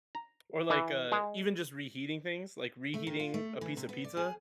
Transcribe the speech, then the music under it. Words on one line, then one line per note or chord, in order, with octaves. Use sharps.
Or, like, uh, even just reheating things, like, reheating a piece of pizza
A#5
E3
G#3
A3
D#3
F4
A3
E3
C3
B3
D5
G#4